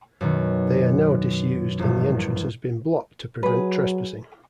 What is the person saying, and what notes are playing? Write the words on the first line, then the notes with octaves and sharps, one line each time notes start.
They are now disused and the entrance has been blocked to prevent trespassing.
F#2 B2 D#3
A#1 E2 G2
F#3 G#4 B4